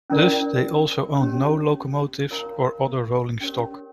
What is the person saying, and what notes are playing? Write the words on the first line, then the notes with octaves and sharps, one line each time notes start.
Thus they also owned no locomotives or other rolling stock.
C#4 E4 A#4 D5
C#4 G4 C#5
F4 A#4 C#5 F5 A#5
C#4 G4 A#4 C#5